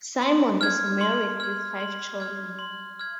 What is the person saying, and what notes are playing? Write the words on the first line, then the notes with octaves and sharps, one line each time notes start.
Simon is married with five children.
C6
F6 G#6
C6
F6 G#6
C6
F6 G#6
C6
F6 G#6